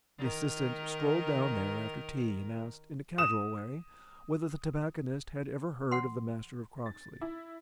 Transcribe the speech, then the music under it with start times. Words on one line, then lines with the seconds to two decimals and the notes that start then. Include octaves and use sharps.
The assistant strolled down there after tea and asked, in a casual way, whether the tobacconist had ever heard of the Master of Croxley.
0.19 D#3 A#4
3.18 D#6 E7
5.91 F#5 C6
6.86 A6
7.21 E4